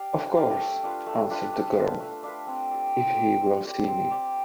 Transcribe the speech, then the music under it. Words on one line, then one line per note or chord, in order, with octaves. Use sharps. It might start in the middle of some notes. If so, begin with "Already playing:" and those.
"Of course," answered the girl, "if he will see me."
Already playing: G4 D5 F5
D4
G4 D5 F5
A3
D4 F4 B4
A3
D4 F4 B4
A3
D4 F4 B4
A3
D4 F4 B4
C4
G4 D5
C4
G4 D5
C4
G4 D5
C4
G4 D5